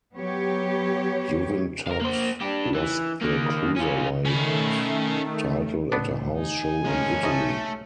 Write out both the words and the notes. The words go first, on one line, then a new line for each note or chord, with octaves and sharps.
Juventud lost the Cruiserweight Title at a house show in Italy.
F#3 B3 G4 C#5
A#4 F5
A#3 C5
D4 G4
E3
D#3 A#3
C#4 F4
D#3 A3 C#4 B5
A2 B3 D4
D#4 G#5
G#3 C#4 A#4
G#2 A3 D#5